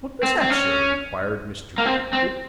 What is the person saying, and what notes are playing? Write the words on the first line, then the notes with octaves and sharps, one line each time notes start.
'What was that, sir?' inquired Mr. Pickwick.
C4
C4
C#4
A#3
C4
C4